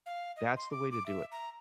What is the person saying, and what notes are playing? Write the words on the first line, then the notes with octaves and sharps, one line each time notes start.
that's the way to do it.
F5
D#5
C6
D6
D6
E5
A#5